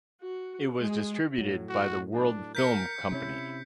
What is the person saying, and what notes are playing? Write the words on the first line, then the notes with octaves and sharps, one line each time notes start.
It was distributed by the World Film Company.
F#4
G#3 G#4
A2 F#3
F#4
D4
A#4 G6 B6 C#7
C3 C#4 E4